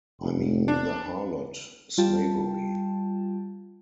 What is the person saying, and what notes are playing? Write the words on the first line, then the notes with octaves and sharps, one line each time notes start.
I mean the harlot, Slavery.
F1
D4
G3 F4 G5 A5